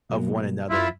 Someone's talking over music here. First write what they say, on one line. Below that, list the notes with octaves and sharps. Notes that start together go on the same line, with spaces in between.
of one another.
B2 F#3 A#3
F#2 E4 F4 E5